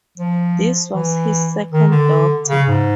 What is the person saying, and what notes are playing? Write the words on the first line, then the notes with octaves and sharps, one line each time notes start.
This was his second daughter.
F3
E3
D#3
D3
C#3
G#2